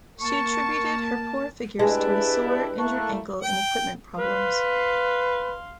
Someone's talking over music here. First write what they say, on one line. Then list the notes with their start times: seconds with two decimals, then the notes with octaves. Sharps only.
She attributed her poor figures to a sore, injured ankle and equipment problems.
0.21 A#3 A5 C#6
1.79 G#3 D4 E4 G4 B4 A5
2.79 A3 A#3 E4 A5 C#6 F#6
3.42 G5
4.19 B4 F5 C6